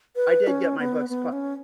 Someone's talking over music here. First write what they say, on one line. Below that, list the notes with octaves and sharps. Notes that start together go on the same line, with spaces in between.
I did get my books pu
B4
C#4
B3
B3
C#4